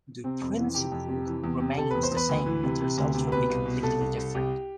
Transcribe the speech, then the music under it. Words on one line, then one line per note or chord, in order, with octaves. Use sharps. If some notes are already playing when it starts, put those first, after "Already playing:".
The principle remains the same but the result will be completely different.
C3 C4
F2
E3
C3 G4
F2
C3
E3
E2
C3
C3 A4
E2 B4
C5
E2
B4
D2
E3
C3
C3
D2
C3
B2 B4
C2
B2
C2 A4
C2
C2
C2 G4